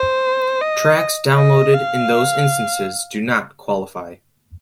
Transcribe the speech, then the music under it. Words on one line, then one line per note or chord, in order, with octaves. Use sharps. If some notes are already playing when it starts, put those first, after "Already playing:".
Tracks downloaded in those instances do not qualify.
Already playing: C5
D#5
D#5
F5